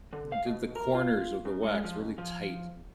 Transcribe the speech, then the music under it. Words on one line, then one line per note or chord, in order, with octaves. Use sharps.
did the corners of the wax really tight,
D3
F5
B2
A#4
F4
F#2
G#3
F3
C#2
F3